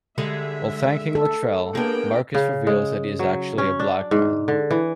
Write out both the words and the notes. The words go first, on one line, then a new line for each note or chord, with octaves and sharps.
While thanking Latrell, Marcus reveals that he is actually a black man.
D3 G3 G#3 E5
A4
G#3 A#3 B3 D4 G5
C#3
G#3
F#3
C#4
D4
G#2
D3
E3